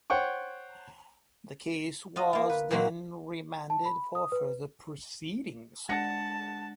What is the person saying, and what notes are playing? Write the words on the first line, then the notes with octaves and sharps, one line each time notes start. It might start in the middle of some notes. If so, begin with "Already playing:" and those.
The case was then remanded for further proceedings.
C5 C#5 F#5 G5 C#6
F4 F#4 D#5
A#3 F4
B4
A#2 E3 F#3 A#3 C4 F#4
A5
B5
D#6
B4
G#3 D4 F#5 A5 A#6 C#7